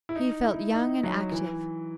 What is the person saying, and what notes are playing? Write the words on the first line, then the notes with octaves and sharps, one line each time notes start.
He felt young and active.
E4
D#4
E4
D#4
F#3
E3